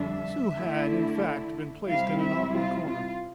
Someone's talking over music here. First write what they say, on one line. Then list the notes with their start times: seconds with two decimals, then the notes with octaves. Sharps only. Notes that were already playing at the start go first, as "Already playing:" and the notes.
Sue had, in fact, been placed in an awkward corner.
Already playing: F2 D3 G3 D4 E5
0.58 D3 A3 E4
1.89 C3 G3 C4 E4 F5
2.22 E5
2.56 F4
2.88 F4